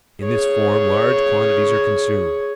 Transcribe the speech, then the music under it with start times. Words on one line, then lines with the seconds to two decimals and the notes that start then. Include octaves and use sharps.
In this form large quantities are consumed.
0.23 G#4 C#5